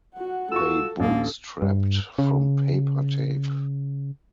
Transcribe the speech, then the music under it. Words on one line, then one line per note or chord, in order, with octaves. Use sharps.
They bootstrapped from paper tape.
F#4 F#5
F4 F#4 A4 C#6 E6
A1 D2 A#3 A4
G2
C#3